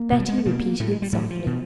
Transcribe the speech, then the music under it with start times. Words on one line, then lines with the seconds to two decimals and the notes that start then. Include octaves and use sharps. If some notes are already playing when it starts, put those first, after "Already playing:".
Betty repeated it softly.
Already playing: A#3
0.12 B2
0.20 G3
0.29 G#3
0.38 A3
0.46 B2 A#3
0.80 A2 A3
0.91 G#3
1.02 G3
1.13 A2 F#3
1.30 F3
1.46 B2